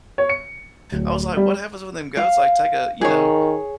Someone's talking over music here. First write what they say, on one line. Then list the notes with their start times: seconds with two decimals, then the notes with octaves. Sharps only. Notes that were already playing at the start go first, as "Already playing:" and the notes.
I was like, "What happens when them goats, like, take a you know,
0.18 C#5
0.29 C#7
0.92 D1
1.37 G3
2.17 F5
3.01 D#3 G#4 C#5